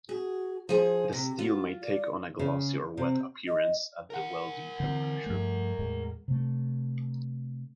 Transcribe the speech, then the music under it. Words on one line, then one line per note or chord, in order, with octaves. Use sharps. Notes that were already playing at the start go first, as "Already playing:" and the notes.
The steel may take on a glossy or wet appearance at the welding temperature.
F#4 G#4
F3 G#4 C5 G#5
C3 G4
F4 F#4
D5
C#3
C3
D#5
A#4 F#5
D3 E3 C4
G2 F3 A3
E2 A2 G#3
C3 A3